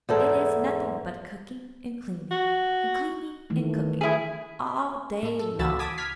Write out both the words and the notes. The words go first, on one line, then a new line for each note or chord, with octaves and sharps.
It is nothing but cooking and cleaning, and cleaning and cooking, all day long.
E2 G#2 A4
F#4
D#3 E3 A3
E4 G#4
A2 A4
A4
C#2 E3 F#4 B5 E6 A6
A5 D6 D#6 G#6 B6
F6 G#6 B6